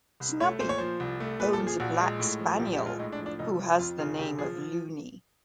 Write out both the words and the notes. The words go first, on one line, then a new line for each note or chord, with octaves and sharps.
Snubby owns a black spaniel, who has the name of Loony.
C2
A3 C#5
A#2 C5
C#5
F3 C5
C2
A3
A#2 B4
A4
F3
G#4
A#1 F#4
G#3
A2
F3
A#1 G4
G4
G#3
F4
A2 D#4
D4
F3
D4
F1 D#4
F3
F2 F4
C#3 F4
F1 G4
F3 G#4